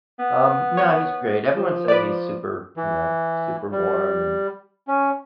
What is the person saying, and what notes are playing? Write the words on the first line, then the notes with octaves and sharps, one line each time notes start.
Um, no, he's great, everyone says he's super, you know, super warm and
B3
C#5
F3
B4 D5
E3
G3
C#4